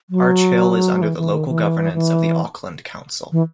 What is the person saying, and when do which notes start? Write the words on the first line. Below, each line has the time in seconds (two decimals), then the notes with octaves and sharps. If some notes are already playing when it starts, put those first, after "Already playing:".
Arch Hill is under the local governance of the Auckland Council.
0.10 F#3
1.02 E3
1.18 E3
1.32 D#3
1.48 E3
1.93 E3
3.32 E3